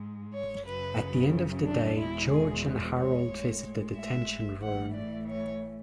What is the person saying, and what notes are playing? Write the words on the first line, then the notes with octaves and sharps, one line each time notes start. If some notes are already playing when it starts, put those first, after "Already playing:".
At the end of the day, George and Harold visit the detention room.
Already playing: G#2 G#3
C#5
F#2 C#3 F#3 B4
D4
E2 B2 G#3 E4
G#4
C#5
A2 G#3
E5
A2 E3 A3 F#5
D5
C#5